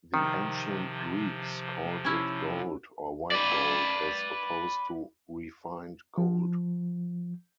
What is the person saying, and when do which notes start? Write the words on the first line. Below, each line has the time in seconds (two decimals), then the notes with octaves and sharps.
The ancient Greeks called it 'gold' or 'white gold', as opposed to 'refined gold'.
0.14 C3 D#3 F3
2.05 C#4 E4
3.31 B4 D5
6.18 F3